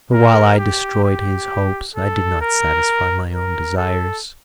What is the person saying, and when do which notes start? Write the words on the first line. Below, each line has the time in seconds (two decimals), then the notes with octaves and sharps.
For while I destroyed his hopes, I did not satisfy my own desires.
0.13 A#4
0.58 G4
1.04 G4
1.95 A4
2.41 A#4
3.32 A#4
3.77 A4